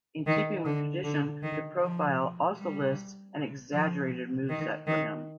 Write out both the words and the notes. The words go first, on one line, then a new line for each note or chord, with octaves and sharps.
In keeping with tradition, the profile also lists an exaggerated moveset for him.
D#3
D3
D3
D#3
F3
G3
F3
D#3
D#3